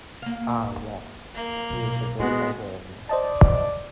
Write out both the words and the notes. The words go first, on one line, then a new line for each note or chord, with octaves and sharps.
Ah, yes; he is the great librarian.
A#3 F5
A#3
B1
A#2 G#3 B3 F#4
C5 D5 D#5 A5